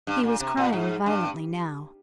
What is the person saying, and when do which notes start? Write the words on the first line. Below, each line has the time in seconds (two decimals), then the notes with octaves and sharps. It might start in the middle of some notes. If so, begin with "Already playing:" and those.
He was crying violently now.
0.07 G2
0.23 A#2
0.40 C3
0.57 A#2
0.73 G#2
1.06 G2